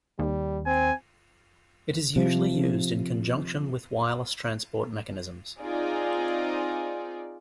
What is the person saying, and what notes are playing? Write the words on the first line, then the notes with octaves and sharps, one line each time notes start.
It is usually used in conjunction with wireless transport mechanisms.
D#2 G3
C4 G#5
C3 F3
C4 D#4 F4 G#4 D5